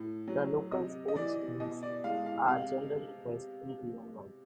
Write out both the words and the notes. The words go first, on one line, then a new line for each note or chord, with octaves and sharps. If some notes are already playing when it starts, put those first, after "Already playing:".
The local sports teams are generally dressed in green and white.
Already playing: A2
F#3
C3 D#5
D#5
E3 D5
B2 D#5
D5
G#3 F5
F5
C3 F5